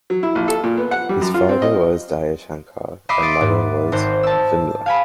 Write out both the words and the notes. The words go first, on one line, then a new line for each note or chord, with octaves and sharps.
His father was Dayashankar and mother was Vimla.
F#3
E4
A#1
A4
A#2
B3
F#5
G3
F#2
F4
C4
D#5
D#5 E5 B5 D6 C7
C6 A6 D7
G#2
G#1 G#2 C5
A5 E6
F5 G#5 B5